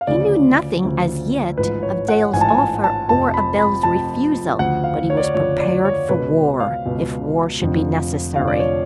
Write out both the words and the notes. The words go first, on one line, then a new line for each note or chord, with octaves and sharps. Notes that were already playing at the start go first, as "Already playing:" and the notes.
He knew nothing as yet of Dale's offer, or of Bell's refusal, but he was prepared for war, if war should be necessary.
F5
D2 C#3 F3 D5
D2 C#3 F3
A1 G#2 F3 B4
C#5
F#5
A1 G#2 F3 G#5
A5
G#5
A5
A5
F1 F2 F3 A5
B5
B5
F1 F2 F3 A5
D2 C#3 F3 F#5
F5
C#5
D5
C#5
D2 C#3 F3 C#5
D5
C#5
C#2 B2 B4
F5
C#2 B2
F1 F2 D3 F3
F1 F2 D3 F3 F5
D5
C#5